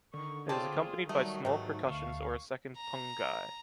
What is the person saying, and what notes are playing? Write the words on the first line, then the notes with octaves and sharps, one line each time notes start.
It is accompanied by small percussions or a second pungi.
D3 D#3 C#6
C4 F4 G#4 C#5 D5 A5
D#3 F#3 G3 A3 D#6
G#2 B2 A3 G4 A#4
D2 F5 C#6
A#5